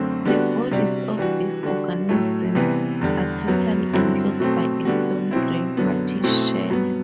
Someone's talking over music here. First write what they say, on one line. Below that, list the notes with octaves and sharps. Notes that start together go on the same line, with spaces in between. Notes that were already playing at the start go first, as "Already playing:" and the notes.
The bodies of these organisms are totally enclosed by a stony gray-whitish shell.
Already playing: F#2 D3 A3 C4
D3 G3 B3 D4 F#4
C3 G3 D4 F#4
E3 G3 D4 F#4
D3 G3 D4 F#4
A2 F#3 A3
C3 E3 G3 B3
E2 D3 G3
F#2 F#3 B3
G2 D3 F#3 C4 E4
B2 F#3 A3 C4
D3 G3 B3 F#4
B2 F#3 C4 E4
F#2 D3 F#3 B3
B2 A3 C4 E4
G2 F#3 B3